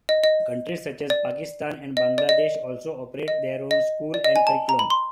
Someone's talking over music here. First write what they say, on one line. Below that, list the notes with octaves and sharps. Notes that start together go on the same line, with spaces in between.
Countries such as Pakistan and Bangladesh also operate their own schools and curriculum.
D#5
D#5
D5
D#5
D5
D#5
D#5
D#5
D5
D#5
G#5
A5
A#5
B5
C6